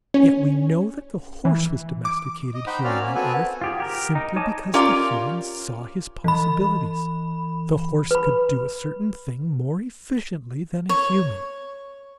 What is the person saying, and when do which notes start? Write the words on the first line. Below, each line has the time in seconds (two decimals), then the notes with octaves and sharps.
And yet we know that the horse was domesticated, here on the earth, simply because the humans saw his possibilities; the horse could do a certain thing more efficiently than a human.
0.14 C#4
1.45 E3
2.05 D6
2.54 D#5
2.67 D#4 C5 F#5 G5 B5
2.84 C4 C#4 F#4 A#4 D5 F5
3.00 A#3 C#4
3.15 B3 C4 F#4 A4 B4 G#5
3.61 F4 G4 G#4
3.80 G4 A#4
4.15 D#4
4.36 C#5 D#5 G#5 A5 D6
4.74 C#4 F4 G4 A#4 D5 F5
6.24 E3 B5
8.11 B4 B5
10.89 C#5